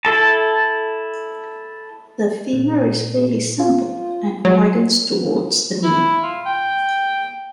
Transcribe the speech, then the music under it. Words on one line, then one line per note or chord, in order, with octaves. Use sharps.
The femur is fairly simple and widens towards the knee.
E4 A4 A5
A#2
F4
F#3
E4
F4
G5